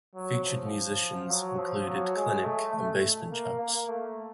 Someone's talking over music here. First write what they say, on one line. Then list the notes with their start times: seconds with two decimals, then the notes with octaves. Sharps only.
Featured musicians included Clinic and Basement Jaxx.
0.15 F#3
0.44 F3
1.30 F#3
1.59 F3
1.87 F#3
2.16 G#3
2.44 A3
2.73 A3
3.31 A#3
3.60 A#3
3.88 A3